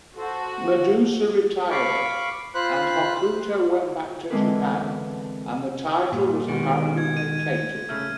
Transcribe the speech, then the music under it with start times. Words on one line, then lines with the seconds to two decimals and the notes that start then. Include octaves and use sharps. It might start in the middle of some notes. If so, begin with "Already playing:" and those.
Madusa retired and Hokuto went back to Japan and the title was apparently vacated.
0.17 F#4 A4 C5
0.59 F3
1.70 F5 B5 C#6 D6
2.54 F4 C5 B5 F#6
4.30 D3 E3 G#3 C4 A#4 B4
6.12 A#2 G3
6.48 B2 D#3 G#3 F#4 G4
6.97 G#6
7.17 D#7
7.89 C#3 A3 F6